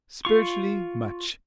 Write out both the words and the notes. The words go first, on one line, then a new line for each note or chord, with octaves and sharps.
Spiritually much.
F4 C#6